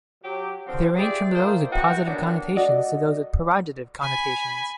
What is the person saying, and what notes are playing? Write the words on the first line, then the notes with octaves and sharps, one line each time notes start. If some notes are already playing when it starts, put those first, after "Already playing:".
They range from those with positive connotations to those with pejorative connotations.
F#3 G4
D3 F3 C4 F#4
F4 G4 G#4 D5 E5 G5
A3 A#3 F4 C5
F#2 B3 E4 F#4 G5
A#2 D#3 F#3 B3 D4
F#4 A4 D5 D#5
G#5 B5